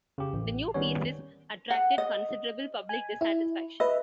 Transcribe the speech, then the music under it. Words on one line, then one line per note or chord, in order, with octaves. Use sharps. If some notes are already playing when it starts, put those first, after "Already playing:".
The new pieces attracted considerable public dissatisfaction.
C#3 G4
A1
D#3 G3 B3 C#4 C#5
F#5
D#5
G#5
E4
B4 D#5 E5